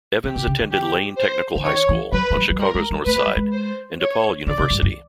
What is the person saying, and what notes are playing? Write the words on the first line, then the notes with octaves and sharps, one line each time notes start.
Evans attended Lane Technical High School on Chicago's North Side and DePaul University.
B2 G4
C3
C#3
D3
G4
C5
D3
D#3 C#5
E3
F#3 B4
F3
F#3
F#3
G3 A#4
G#3
G3
A3 B4
G#3
G3
G#3
C5
C#5
D3 D5
C#3
G2
F#2